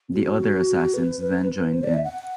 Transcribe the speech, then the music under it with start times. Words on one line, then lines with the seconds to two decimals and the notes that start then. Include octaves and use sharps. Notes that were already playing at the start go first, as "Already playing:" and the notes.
The other assassins then joined in.
0.14 F#4
0.94 B4
1.74 C5
1.84 D5
1.94 E5
2.04 F#5